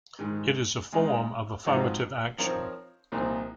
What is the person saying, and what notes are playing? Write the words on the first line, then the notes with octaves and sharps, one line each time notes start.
It is a form of Affirmative action.
G#2 D#3 G#3
C#3 G#3 D#4
G#2 F3 C4 D#4 F#4
F3 C4 D#4 A#4 C#5
C2 A#2 F3 C4 D#4